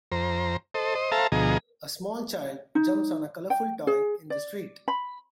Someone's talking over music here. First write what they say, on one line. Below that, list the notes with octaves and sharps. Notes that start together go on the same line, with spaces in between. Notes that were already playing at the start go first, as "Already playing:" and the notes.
A small child jumps on a colorful toy in the street.
F2 C5 A#5
A4 C5 D#5
C5 D#5
A4 C5 E5 F5 A5 A#5
D2 B2 F3 G#4 D#5 A#5
D#4
G5
G#4
D5
B5